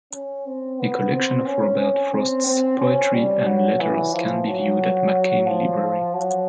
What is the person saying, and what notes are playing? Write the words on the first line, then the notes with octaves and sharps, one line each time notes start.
A collection of Robert Frost's poetry and letters can be viewed at McCain Library.
C#4
C4
B3
C4
C#4
C#4
C4
C4
C#4
G3
F#3
E3
F3
F#3
F3
F#3